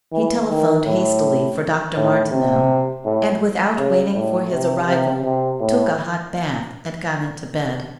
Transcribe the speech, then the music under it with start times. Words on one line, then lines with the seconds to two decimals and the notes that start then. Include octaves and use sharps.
He telephoned hastily for Dr. Martineau and without waiting for his arrival took a hot bath and got into bed.
0.13 E3
0.49 D#3
0.86 A2
1.95 A2
2.32 C3
3.05 A2
3.78 C#3
4.14 A2
4.51 C3
4.88 C3
5.24 C3
5.60 A2